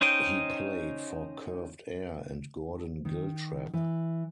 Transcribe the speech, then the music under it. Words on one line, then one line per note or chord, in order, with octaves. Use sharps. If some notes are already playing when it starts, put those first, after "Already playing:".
He played for Curved Air and Gordon Giltrap.
C#4 D#4 C5 D#5 G5
D#3
E3